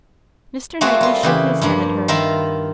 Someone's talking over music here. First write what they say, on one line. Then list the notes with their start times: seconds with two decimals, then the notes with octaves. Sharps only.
Mr. Knightley shook his head at her.
0.81 A3 A#3 C4 F4 F#4 G#4
1.01 G3 F4
1.23 C#3 E3 G4
1.61 G2 F3 A#3
2.08 D#3 F4 A#4 E5 B5